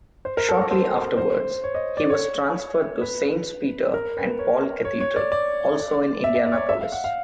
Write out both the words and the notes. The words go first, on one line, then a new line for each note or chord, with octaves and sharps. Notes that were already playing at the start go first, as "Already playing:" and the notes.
Shortly afterwards, he was transferred to Saints Peter and Paul Cathedral, also in Indianapolis.
C5
A#4
A4
A#4
C5
C5
C#5
D#5
D5
C#5
B4
A#4
B4
C#5
C#5
C#5
D5
D5
E5
E5
D5
C#5
D5
E5
F5
F#5
F5